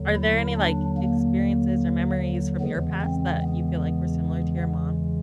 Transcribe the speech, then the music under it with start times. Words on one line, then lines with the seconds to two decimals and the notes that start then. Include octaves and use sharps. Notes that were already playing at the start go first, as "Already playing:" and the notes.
Are there any, like, experiences or memories from your past that you feel like were similar to your mom's?
Already playing: D#2 D3 F#3
0.15 E4
0.56 D4
0.97 A#3
2.60 E2 C#3 E3 G#3 B3
3.01 C4
3.42 B3